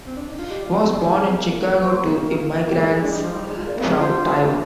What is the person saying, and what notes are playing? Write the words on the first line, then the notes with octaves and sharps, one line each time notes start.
He was born in Chicago to immigrants from Taiwan.
C4
D4
D#4
F4
G4 D#5
D5
F4
G4 D#5
D#5
D5
G4
G#4
C4
G#3
A#3
C5
A#4
A#3 G4
G#3 A#4
A#3 G#4
G#3 D4
G3 D#4
F3 D#4
G3 D#4
G#3
G#3 F4
A#3 D5
C4 F5
G#4
F4 C5
G4
F4
G4
F4
G4